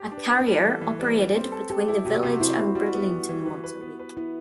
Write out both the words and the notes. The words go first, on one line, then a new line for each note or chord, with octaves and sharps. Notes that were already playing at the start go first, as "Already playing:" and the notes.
A carrier operated between the village and Bridlington once a week.
Already playing: G4
D4
B4
B3
B4
G3
E3 A4
E3
G3 B4
G3
C4 A4
A4
G4 A4
E4
C3 F#4
G4
C3 F#4
C4 E4
C4
G3 F#4
B3
G3
E3
B4
B4
B3
B4
B3 E4